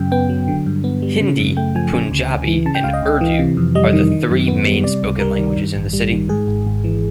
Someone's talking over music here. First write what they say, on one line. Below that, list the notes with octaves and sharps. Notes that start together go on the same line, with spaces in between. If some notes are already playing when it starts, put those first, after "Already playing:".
Hindi, Punjabi and Urdu are the three main spoken languages in the city.
Already playing: F#2 C#3 G5
B3 G5
F#3
D3
G2
B3
G3
C#3
F#2
A3 G5
F3 G#5
C#3 G#5
D2
D2
E3
C#3 A5
G5
C#2 F5
D#5
C#2
E3
C3
F2
G3 D#5
D#3
D#3
F#2
B3
G3
C3 D5
C#2
G3 A#4
D#3
G2
A1
G3
D#3
G#2 G#4
G#1
G#1
E3